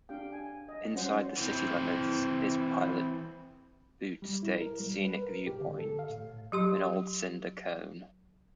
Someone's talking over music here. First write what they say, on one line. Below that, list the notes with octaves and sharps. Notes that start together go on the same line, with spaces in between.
Inside the city limits is Pilot Butte State Scenic Viewpoint, an old cinder cone.
D4 G4 F5 G5
G#5
D#5
G3 C#4 F#4 C5 F#5
E3 C4
G3
E4
A#4
G3
B4
A#4
G4
D3
A4
F5
A2
F#3 G4 C6